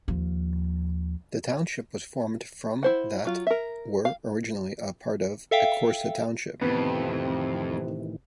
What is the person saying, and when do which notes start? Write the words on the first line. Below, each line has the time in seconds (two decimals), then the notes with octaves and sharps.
The township was formed from that were originally a part of Ecorse Township.
0.08 D#2 F3
2.83 E4 C5 F#5
3.25 F#3 F4
3.47 A#4 E5
4.05 F5
5.51 A4 E5 F5 G5
6.61 F2 A2 C3 D#3 E3 B3